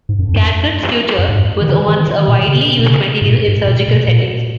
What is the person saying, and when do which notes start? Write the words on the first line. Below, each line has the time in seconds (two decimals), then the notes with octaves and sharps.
Catgut suture was once a widely used material in surgical settings.
0.09 G#2
0.19 F#2
0.29 F2
0.34 G#2
0.39 F#2
1.19 F#2
1.29 G#2
1.62 D#3
1.68 C#3
1.88 D#3
2.08 D#3
2.28 A#2
2.48 C#3
2.79 B2
2.88 C#3
3.22 G#2
3.28 A#2
3.48 G#2
3.68 A#2
3.88 B2
4.08 A#2